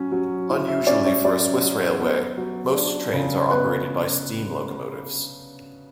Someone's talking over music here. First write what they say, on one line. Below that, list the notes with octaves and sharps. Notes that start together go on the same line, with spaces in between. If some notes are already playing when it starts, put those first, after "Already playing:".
Unusually for a Swiss railway, most trains are operated by steam locomotives.
Already playing: F#3 C#4
F#3
E4
E5
C#4 D5
C#5
F#3 D5
F#3
B3
F#3
D4
C#3
B3 B4